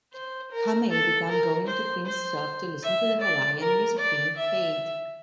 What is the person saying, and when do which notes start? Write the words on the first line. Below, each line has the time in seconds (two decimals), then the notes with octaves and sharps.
Kamae began going to Queen's Surf to listen to the Hawaiian music being played.
0.14 C5
0.52 A#4
0.91 A4
1.29 A#4
1.67 C5
2.06 C5
2.83 E5
3.22 D5
3.60 A#4
3.99 D5
4.37 E5